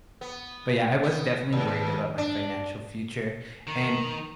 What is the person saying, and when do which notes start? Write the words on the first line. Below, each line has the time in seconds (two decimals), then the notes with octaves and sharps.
But yeah, I was definitely worried about my financial future. And
0.21 B3
1.03 B3
1.53 D#2
2.18 D4
3.67 D#3